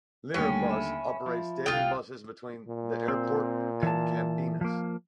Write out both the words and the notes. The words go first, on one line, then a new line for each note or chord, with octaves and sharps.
Lirabus operates daily buses between the airport and Campinas.
D#2 D3 G3 A3 C#4 G5
E5 B5
F3
C2 F4 G5 D#6 F#6
A#2
C4
E3 A5
F3 A#3